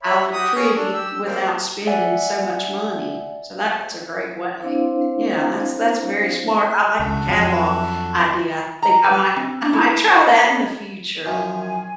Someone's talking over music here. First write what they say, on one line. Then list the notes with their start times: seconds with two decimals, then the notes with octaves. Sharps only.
"I look pretty" without spending so much money. So that that's a great way. Yeah. That's that's very smart. I like the catalog idea. I think I might I might try that in the future.
0.03 C#5 E5 B5
0.33 F#4 G4 D#6
0.55 C#4 G#4 C#5
0.74 D4 A4
0.92 G4 E6
1.23 G3 A#3 C4
1.87 D5 E5 F#5 G#5
4.60 C4 D4 E4 C5 F5
6.99 C#2 D4 F#4 A4
7.27 F2 F#3
8.82 A#5
9.04 B4
9.36 C4
9.73 E4
10.08 C5
11.26 F#2 D#3 F3 G#5